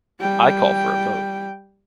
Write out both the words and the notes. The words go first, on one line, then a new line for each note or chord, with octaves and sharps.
I call for a vote.
G3 G5